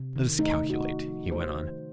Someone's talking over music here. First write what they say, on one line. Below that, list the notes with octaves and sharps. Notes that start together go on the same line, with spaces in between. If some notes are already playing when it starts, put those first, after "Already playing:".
"Let us calculate," he went on.
Already playing: C3
D#3
A3 D#4
C3
F#4
C3
F3
A3 C5
D#3